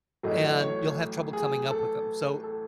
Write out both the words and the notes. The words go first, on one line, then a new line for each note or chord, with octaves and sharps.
And you'll have trouble coming up with 'em, so
A1 A2 F#3 A3 D#5
C#5
G#4
A4
A4